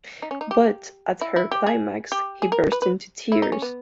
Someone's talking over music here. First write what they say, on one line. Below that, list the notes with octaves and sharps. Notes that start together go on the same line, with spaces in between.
But at her climax he burst into tears.
D#4
C#4
D#4
G4
E4
E4
G4
G#4
G4
G#4
A#4
B4
B4
E4
D#4
C#4
B3